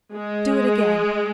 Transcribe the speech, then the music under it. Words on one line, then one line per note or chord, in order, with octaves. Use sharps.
Do it again!
G#3